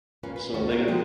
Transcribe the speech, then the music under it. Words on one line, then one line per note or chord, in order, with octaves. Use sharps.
So they could
A#3 C#4 F4 B4
B4
D#2 A3 C#4 F#4 D5
F#4 G#4 A#4 C5 D5 E5
C3 F3 G#3 F4 G5